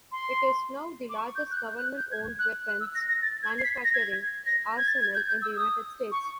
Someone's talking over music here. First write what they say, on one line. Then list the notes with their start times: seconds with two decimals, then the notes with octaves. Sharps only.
It is now the largest government-owned weapons manufacturing arsenal in the United States.
0.12 C6
1.09 D6
1.15 C#6
1.36 G6
1.51 F#6
1.57 G6
1.72 G6
1.77 F#6
1.98 G6
2.12 G#6
2.39 F#6
2.67 F#6
2.80 E6
2.95 A#6
3.09 A#6
3.22 A6
3.43 G#6
3.59 C7
3.64 B6
3.84 A#6
3.94 G#6
4.46 A#6
4.78 G#6
4.88 A6
5.01 G#6
5.15 G6
5.28 G6
5.42 E6
5.56 D#6
6.12 C#6